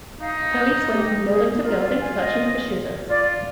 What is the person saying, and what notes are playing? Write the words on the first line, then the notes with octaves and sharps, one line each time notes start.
Police went from building to building searching for shooters.
D#4 F5
D#5
G4
G#4
F4 A#4
D5
G#5
D#5
F4 D5